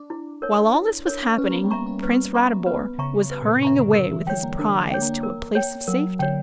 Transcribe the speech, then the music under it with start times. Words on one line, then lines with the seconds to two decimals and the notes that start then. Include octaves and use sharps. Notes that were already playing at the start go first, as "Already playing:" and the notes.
While all this was happening, Prince Ratibor was hurrying away with his prize to a place of safety.
Already playing: D4
0.10 E4
0.42 A#4 C#5
0.74 E4
1.07 A#4 C#5
1.38 C#4 B4
1.51 A#3
1.54 B3
1.64 G3
1.70 A#3 E5 A#5 C#6
1.86 C#4
2.02 C#4 B4
2.34 B3 E5 A#5 C#6
2.66 B3 B4
2.98 C#3 E5 A#5 C#6
3.31 G2 B4
3.42 A#2
3.47 B2
3.63 C#3 E5 A#5 C#6
3.79 D3
3.94 D3 A#4
4.11 E3
4.27 G3 C#5 G5
4.43 A#3
4.59 D4 A#4
4.81 D4
4.91 C#5 G5
5.02 A#3
5.23 A#4
5.55 C#5 G5
5.87 F#3 A#4
6.19 D3 C#5 G5